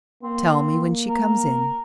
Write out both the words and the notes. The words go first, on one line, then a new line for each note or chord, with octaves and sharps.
"Tell me when she comes in--."
A#3 C4
A#4